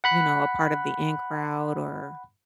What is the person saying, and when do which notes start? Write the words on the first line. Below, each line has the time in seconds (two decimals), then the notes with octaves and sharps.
you know, a part of the in crowd, or
0.04 F#5 B5 F#6